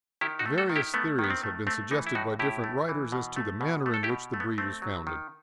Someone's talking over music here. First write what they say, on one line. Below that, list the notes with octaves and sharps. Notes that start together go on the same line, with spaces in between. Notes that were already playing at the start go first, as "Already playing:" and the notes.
Various theories have been suggested by different writers as to the manner in which the breed was founded.
D#3 E4 G4
D#4 F#4
A3
F#4 A4
D#3
E4 G4
A3 B3
D#3
B3
C4
A3
A3 C4
E3 B3 D#4
E4
A2 D#4 F#4
A2 E4 G4
A3
E3
B2
A3
B2
A3
A4
E4 G4
B2
A3
B3
A3 C4
F#3
D#3